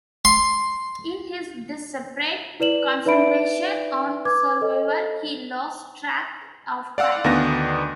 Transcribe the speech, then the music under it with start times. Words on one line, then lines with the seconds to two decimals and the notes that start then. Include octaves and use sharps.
In his desperate concentration on survival, he loses track of time.
0.25 C6
2.60 E4 B4 D5 E7 F#7
3.05 D#4 B4 D5 E5 B5 D7
4.25 B4 D6 G#6
4.61 A4 D#5
6.98 D5 F5 F#5 E6
7.24 D2 D#3 B3 D4 A#6